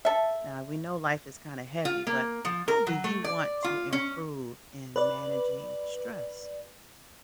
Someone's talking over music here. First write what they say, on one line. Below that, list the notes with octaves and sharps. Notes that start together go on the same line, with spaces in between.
now, we know life is kinda heavy, but how do you want to improve in managing stress?
A4 E5
F4
A#3
F3
A#4
F#3
A3
D5
F4
C#4
B4 D5